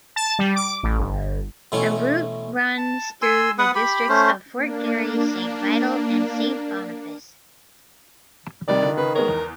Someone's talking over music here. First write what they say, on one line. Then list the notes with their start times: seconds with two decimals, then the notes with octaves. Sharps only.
The route runs through the districts of Fort Garry, Saint Vital, and Saint Boniface.
0.16 A5
0.39 G3
0.56 D6
0.83 A1
0.99 G1
1.72 B2 E3 A3 C4 C#4
2.77 A5
3.22 G#5 C6 E6
3.58 B3 B4 F#5 D#6
3.75 G4 B5
4.09 A3 C#4 C5
4.54 A#3 D4
8.68 C3 D#3 G3 D5
8.83 D3 F4
8.97 C#3 B4
9.15 G#3 B3 A#4 C#5
9.28 E2